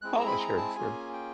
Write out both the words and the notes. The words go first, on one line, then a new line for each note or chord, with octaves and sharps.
Oh, sure, sure.
G#3 C4 E4 G#4 F#6
A#5
B5
A#5
A5
A#3 C#4 F4 G#4 G#5
G5